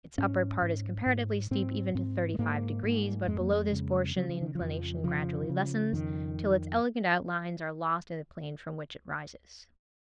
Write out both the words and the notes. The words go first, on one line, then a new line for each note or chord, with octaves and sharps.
Its upper part is comparatively steep, even to thirty-five degrees, but below this portion the inclination gradually lessens, till its elegant outlines are lost in the plain from which it rises.
G#2 C#4
G#2
G#2
G#2 C4
G#2 C4
G#3
G#2 A#3
G#2
F2 G#3
A#3
G#3
C#3
C#3 F#3
F3
D#3
F3
F2
C#3 F3
C#3
F2 D#3